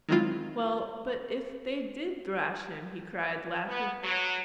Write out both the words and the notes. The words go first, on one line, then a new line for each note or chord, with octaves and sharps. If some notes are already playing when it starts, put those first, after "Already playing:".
"Well, but if they did thrash him!" he cried, laughing.
D#3 F#3 G#3 C4 E4 F4
B3
F#3